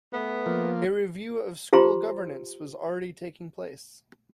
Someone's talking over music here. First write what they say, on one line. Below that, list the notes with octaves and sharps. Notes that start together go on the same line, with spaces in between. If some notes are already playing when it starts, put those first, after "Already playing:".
A review of school governance was already taking place.
A3 B3
F3 A#3
F4 G4 C5 A#5 C6